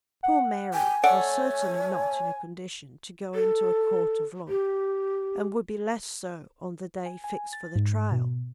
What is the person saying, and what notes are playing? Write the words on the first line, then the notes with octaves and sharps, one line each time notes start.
Poor Mary was certainly not in a condition to go into a court of law, and would be less so on the day fixed for the trial.
F#5
G5 G#5
A3 C#5 D5 F#5
A4
G4
G#5
G#5
A6
G#2
B2